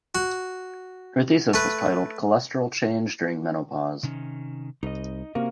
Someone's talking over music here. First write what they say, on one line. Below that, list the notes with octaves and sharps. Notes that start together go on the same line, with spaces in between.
Her thesis was titled "Cholesterol change during menopause".
F#4
A3 B4
C3 D#3 C#4
C2 D#4 D#5
C3 A#3 C#4 F#4 A#4